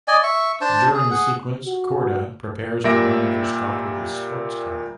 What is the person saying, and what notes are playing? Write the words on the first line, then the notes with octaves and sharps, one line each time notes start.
During the sequence, Korda prepares to run over Scott with his sports car.
D5 D#5 G#5
E5 C#6
D4 C5 A5
G#4
G#4 F#5
F#4
A#2 G3 A#3 E5 A#6 D7